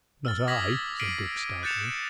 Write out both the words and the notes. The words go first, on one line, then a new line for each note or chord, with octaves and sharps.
"Not I," said Dick, stoutly.
E6 F6 A6
D6 D#6 G#6 A#6 B6 F#7
F6 B6 C7 D7 D#7 F#7
F#6 G6 A6 C#7 E7 F7